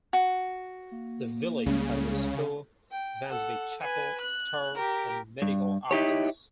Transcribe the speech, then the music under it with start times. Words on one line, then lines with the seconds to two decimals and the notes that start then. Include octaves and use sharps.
The village has a school, Vangsvik Chapel, store, and medical office.
0.13 F#4
0.92 A#3
1.66 C#2 C#3 G3 G#3
2.92 G5
3.30 A4 F#5
3.81 B4 G#5
4.21 F#6
4.75 G4 A#4
5.42 G2
5.91 D#4 E4 G4 C#5